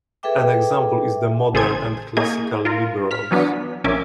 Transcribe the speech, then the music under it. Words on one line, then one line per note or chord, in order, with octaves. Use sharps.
An example is the modern and classical liberals.
G#4 A4 B4 E5 G5 D6
A1 C#3 G#4 A4 C5 G#6
A#3 E4 G#4 D#5 G#6
F4 A#4
F6 B6
E3 F#3 B3 D4
A#1 C#4 A#4 E5 G#5 D6